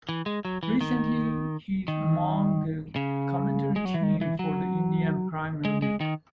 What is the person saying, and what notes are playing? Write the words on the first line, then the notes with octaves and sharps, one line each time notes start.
Recently, he is among the commentary team for the Indian Premier League.
E3
G#3
F#3
E3
D#3
D#3
C#3
G#3
F#3
E3
D#3
E3
F#3
G#3
G#3
D#3